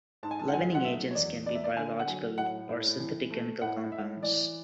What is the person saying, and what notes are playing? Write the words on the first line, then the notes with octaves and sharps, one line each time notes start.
Leavening agents can be biological or synthetic chemical compounds.
G#2 A5
G#5
A5
F#5
F#3 G#5
F#5
A3 E5
C#5
E2 D5
B3 D5
E5
D5
D3 G#5
F#5
F#3 G#5
A2 F#5
A2
E3
A3
A2 F#5
A2 E5
E3 D5